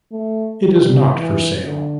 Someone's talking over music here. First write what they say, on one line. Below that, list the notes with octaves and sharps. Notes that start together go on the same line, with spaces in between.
It is not for sale.
A3
G3
E3
D3